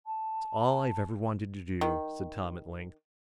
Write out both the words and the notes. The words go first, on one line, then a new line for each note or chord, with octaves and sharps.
"It's all I've ever wanted to do," said Tom at length.
A5
D#3